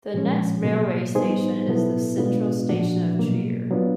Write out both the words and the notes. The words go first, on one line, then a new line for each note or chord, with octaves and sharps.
The next railway station is the central station of Trier.
A#2 F3 G#3 C#4
B2 F#3 A#3
G3 B3 D#4 G#4 C5
B2 F#3 B3 E4 A4
B2 G#3 B3 D4 F4
A#2 F3 A3 D4 F#4
B2 F#3 A#3
F#3 B3 D4 F4